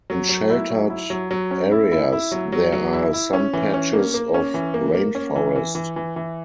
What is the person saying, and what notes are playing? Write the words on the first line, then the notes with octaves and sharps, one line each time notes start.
In sheltered areas there are some patches of rainforest.
F#3
F#3
E4
F#3
E4
F#3
F#3
C#4
E4
E4
E4
F#3
F#3
F#3
E4
E4
C#4
E3
C#4
A#3
A#3
C#4
E3
A#3
A#3
C#4
E3
E3
E3
E3
E3